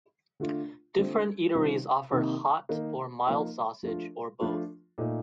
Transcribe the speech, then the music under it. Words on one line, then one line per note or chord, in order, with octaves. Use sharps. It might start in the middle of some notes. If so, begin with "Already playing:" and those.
Different eateries offer hot or mild sausage, or both.
D3 A3 D4 F4
D3 A3 C4 F4
C3 D#3 G3 C4 F4
C3 D#3 A#3 D#4
D#3 A#3 D#4
F3 A#3 D#4
F3 A3 D4 F4
F3 A3 D4 F4
A#2 A3 D#4